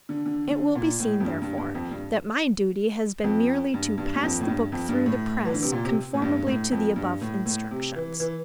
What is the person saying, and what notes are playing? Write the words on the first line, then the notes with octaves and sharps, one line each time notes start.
It will be seen, therefore, that my duty has been merely to pass the book through the press conformably to the above instructions.
D3
D3
D3
A#2
A2
F2
G2
G2
G2
F2
G2
F2
G2
G2
G2
F2
A2
G2
F2
G2
A2
E3
D3
C3
A#2
C3
A2
G2
A2
F2
G2
A2
A2
C3
E3
E3